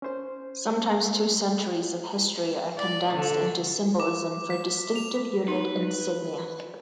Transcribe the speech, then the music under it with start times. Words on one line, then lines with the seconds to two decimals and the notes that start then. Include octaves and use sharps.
Sometimes two centuries of history are condensed into symbolism for distinctive unit insignia.
0.02 C#4 C5
2.79 D5
3.14 D3
4.00 D6
4.50 B6
4.96 F7
5.48 D#4 B4